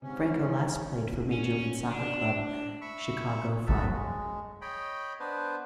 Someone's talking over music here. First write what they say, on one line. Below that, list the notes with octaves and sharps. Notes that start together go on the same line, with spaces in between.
Franco last played for Major League Soccer club Chicago Fire.
G#2 C3 C#4
C#4
D4
E5 B5 C#6
D#4 F#4 A4 E5
G#3
C#5 D#5 G5 B5
B3 D4 B4 C5